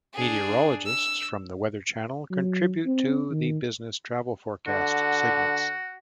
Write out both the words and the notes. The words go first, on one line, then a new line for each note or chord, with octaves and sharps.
Meteorologists from The Weather Channel contribute to the "Business Travel Forecast" segments.
D4 G#4
E6
F#3
C4
D#3
D3 F#4